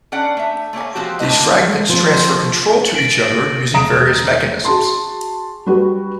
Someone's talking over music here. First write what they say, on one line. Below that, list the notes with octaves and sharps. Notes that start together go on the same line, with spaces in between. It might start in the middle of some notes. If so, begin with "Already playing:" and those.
These fragments transfer control to each other using various mechanisms.
C#4 D4 D5 F#5
A3 E5
A3 A#3 C#5 G#5
F3 G#3 C4 F#4 G4
A#2 D3 F#3 A3 B4 D#5
F3 C4
A6 A#6 D7 F#7
E1 A#5 D#6 D7 E7
F#4 G#4 A5 C6
G3 F#4 B4